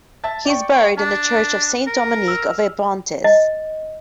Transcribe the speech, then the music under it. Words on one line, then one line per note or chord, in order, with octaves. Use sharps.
He is buried in the Church of Saint Dominique of Abrantes.
E5 A5 A6
D5 G5 C#6
D4 A5
B6
A#4
E6 F6
D#5